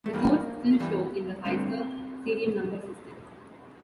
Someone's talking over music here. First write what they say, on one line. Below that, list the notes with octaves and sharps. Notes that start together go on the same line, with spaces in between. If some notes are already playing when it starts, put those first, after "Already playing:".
The codes still show in the Hyster serial number system.
A3
G2 E3 G3 A#3
G2 E3 G3
G2 D3 A3 C4